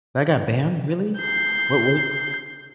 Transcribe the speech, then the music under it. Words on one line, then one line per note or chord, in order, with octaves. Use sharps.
That got banned, really? What wa
G6 C7